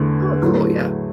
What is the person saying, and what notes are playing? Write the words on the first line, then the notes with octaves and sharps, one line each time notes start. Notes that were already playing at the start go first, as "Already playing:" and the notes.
Oh, cool, yeah.
Already playing: E2 D3 A3
A2 F#3 A3